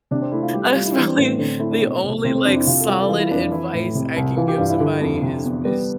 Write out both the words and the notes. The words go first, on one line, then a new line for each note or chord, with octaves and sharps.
That is probably the only, like, solid advice I can give somebody is is
C3 D4
C4
A3 E4
F4
G3 G4
G4
G3 F4
E4
E3 D4
C4
A2 B3
C4
D3 C4
D4
A3 E4
D4
B2 C4
C2
C3 C4
C4
F2 D4
E4
C3 F4
A4
G3 G4
A4
E3 F4
E4
F2 D4
D4
E3 E4
A2
C3
C2
E3 F4
G4
G2 F4
E4
D3
F2
C3
E2
G3 B3